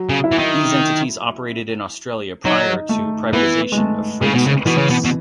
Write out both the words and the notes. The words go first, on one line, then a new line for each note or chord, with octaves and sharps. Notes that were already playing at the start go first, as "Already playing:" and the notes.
These entities operated in Australia prior to privatisation of freight services.
Already playing: F#3
C#3
E4
E3
D#3
F#3 D#4
A3
E3 B3
G#3
A3
C#3 G#3
B2
C#3
B2 E3
C#3
B2
B2